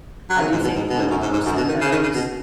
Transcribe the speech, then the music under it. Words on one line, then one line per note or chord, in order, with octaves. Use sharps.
I do think when a person knows
F#3
D#3
G#2
B2
G#2
B2
G#2
F#2
G#2
G#2
F#2
B2
D#3
C#3
D#3
C#3
B2